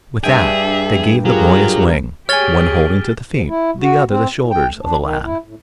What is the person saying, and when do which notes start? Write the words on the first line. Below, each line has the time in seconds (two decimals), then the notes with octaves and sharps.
With that they gave the boy a swing, one holding to the feet the other the shoulders of the lad.
0.24 G2 D4 G#4 E5 G5
1.25 F#3 F4 G4 G#4 A#4
2.29 G4 G#4 C#5 G#5 F6 A6 G7
3.29 G#2
3.48 E4
3.80 F#4
4.09 C4
4.36 A2
4.50 G5
4.69 D2
4.82 D4
4.98 D#3
5.23 E4
5.44 A2